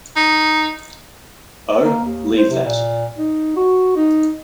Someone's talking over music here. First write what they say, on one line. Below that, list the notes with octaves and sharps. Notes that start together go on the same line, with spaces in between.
Oh, leave that!
D#4
A#3
D#2
C5
C3
A#2
D#4
F#4
D#4